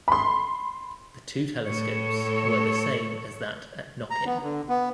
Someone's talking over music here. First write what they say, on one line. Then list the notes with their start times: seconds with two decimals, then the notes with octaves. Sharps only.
The two telescopes were the same as that at Knockin.
0.08 B5 C6
1.68 A2 A4 C#5
4.10 A#5
4.26 B3
4.43 D3
4.69 B3